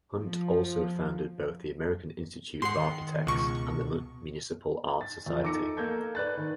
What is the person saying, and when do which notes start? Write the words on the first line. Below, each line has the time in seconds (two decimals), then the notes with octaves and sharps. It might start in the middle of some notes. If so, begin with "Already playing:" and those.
Hunt also founded both the American Institute of Architects and the Municipal Art Society.
0.17 F3
2.62 G#2 F#5 C6 C7
2.77 D#3
3.27 C#2 B2 C#6
5.01 A6
5.26 E2 F3
5.43 D#4 A4 D6 A#6 C#7
5.77 A#3 A4 G6 G#6
6.15 B4 D5 F#6 A6
6.37 D#3